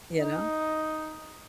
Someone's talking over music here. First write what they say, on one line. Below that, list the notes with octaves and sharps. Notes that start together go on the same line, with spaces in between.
you know?
D#4